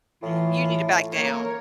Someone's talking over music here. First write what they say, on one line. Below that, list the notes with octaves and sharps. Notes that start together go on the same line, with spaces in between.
you need to back down
A2 E3 F4
A#3 A#4 C#5